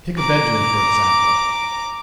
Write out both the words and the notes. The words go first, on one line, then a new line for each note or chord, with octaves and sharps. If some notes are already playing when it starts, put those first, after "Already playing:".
Take a bedroom, for example.
A#5 D6